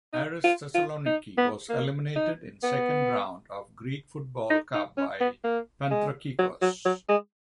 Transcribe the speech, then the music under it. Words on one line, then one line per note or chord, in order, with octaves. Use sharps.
Aris Thessaloniki was eliminated in "Second round" of Greek Football Cup by Panthrakikos.
D#4
F4
F4
D#4
B3
A#3
D#4
B3
D#4
D#4
C#4
B3
A#3
G#3
F#3
F#3
F#3
G#3